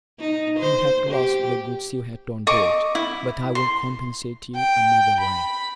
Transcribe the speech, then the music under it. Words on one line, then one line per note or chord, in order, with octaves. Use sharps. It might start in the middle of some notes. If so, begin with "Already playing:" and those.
You have lost the goods you had on board, but I will compensate you another way.
D#4
C5
G4
D#5 C#6 D6
E4
C6
G5
B5